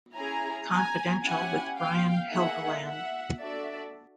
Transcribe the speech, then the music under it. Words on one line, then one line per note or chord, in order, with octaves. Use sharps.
Confidential with Brian Helgeland.
C#4 E4 G#4 G#5 A#5
G#5 A#5
C#4 E4 G4 F#5 G#5
F5 G5
A#3 D#4 G#4 E5 F#5
E5 F#5
D4 F#4 A4 D5 E5